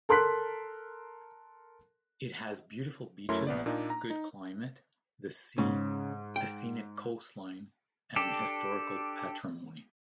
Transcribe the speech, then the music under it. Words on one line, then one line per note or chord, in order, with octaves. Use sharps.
It has beautiful beaches, good climate, the sea, a scenic coastline, and historical patrimony.
A4 A#4 C6 F#6 B6
F#2 A3 E4 A#4 C#5 C6
A#1 B3 D5
A#2 A#3 D4 D#4
A#5
D#4
G#2 C#3
G5
D4 G4 A4